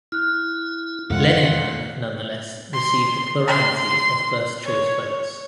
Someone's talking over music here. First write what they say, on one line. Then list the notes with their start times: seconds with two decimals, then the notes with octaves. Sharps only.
Lenihan nonetheless received a plurality of first-choice votes.
0.12 E4 F6 F#6
1.10 F2 C3 G#3 F4 A4 F#5
2.73 C6
3.48 C6
4.64 C#5